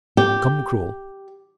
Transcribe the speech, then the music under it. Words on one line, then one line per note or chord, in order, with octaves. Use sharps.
Come, cruel!
G4